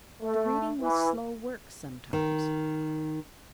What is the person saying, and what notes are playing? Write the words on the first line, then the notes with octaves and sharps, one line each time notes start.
The reading was slow work sometimes.
A3
E3
D#3